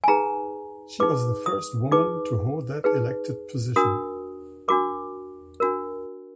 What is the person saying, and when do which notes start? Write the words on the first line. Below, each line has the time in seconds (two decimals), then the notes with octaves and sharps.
She was the first woman to hold that elected position.
0.04 G#5
0.08 D#4 G#4 B4 A#5
1.00 D#4 G#4 B4 D6
1.46 D#6
1.92 D#4 G#4 B4 D6
2.84 D#4 G#4 B4
3.76 D4 F#4 A#4 D#6
4.68 D4 F#4 A#4 D6
5.60 D4 F#4 A#4